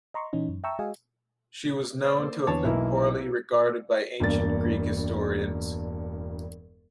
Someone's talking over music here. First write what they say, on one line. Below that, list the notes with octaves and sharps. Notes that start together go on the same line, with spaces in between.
She was known to have been poorly regarded by ancient Greek historians.
D#5 A#5 C6 C#6
A#2 E3 C#4 D#4
F#2
E5 G5 A5 A#5 C#6 E6
G#3 F#4 G#4 D#5 F5 G#5
C5 D5
A#3
E2 D3 C#5 A5
B1 E3 A#3 E4
E1 G2 A#3 D5 A6